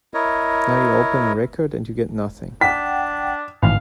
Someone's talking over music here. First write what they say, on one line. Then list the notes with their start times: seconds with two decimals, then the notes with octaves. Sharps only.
Now, you open a record and you get nothing.
0.14 E4 A#4 C#5 D#5
2.61 D4 F#5 G5 B6
3.63 G#1 A2 E3 B4 F5